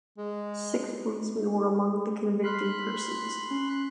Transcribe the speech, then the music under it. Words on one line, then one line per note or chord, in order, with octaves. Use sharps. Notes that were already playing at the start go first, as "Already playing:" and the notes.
Six policemen were among the convicted persons.
G#3
B5 C6 F6 F#6 B6 C7
C#4